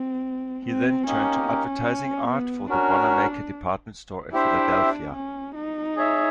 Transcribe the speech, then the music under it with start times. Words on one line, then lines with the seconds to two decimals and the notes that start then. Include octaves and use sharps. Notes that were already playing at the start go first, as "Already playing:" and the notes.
He then turned to advertising art for the Wanamaker department store in Philadelphia.
Already playing: C4
0.65 C4
1.06 A#3 C#4 D#4 G4 A#4
1.47 C#4
2.28 B3
2.69 C#4 D4 F#4 A#4
4.32 D4 E4 G4 C5 E5
5.14 C#4
5.55 D#4
5.96 G#4 C#5 E5